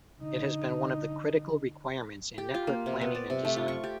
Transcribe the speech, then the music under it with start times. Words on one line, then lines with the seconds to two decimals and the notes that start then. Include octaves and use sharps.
It has been one of the critical requirements in network planning and design.
0.20 D3 D#4
2.38 G4
2.54 F4
2.67 A#3
2.86 C3
3.01 B3
3.15 D5
3.30 C3
3.45 A3
3.57 F4
3.68 C#6
3.84 G4